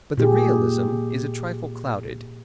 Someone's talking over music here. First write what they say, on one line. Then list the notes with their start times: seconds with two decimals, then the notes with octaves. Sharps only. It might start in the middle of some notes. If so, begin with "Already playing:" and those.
But the realism is a trifle clouded.
0.17 A#2 G4 G#4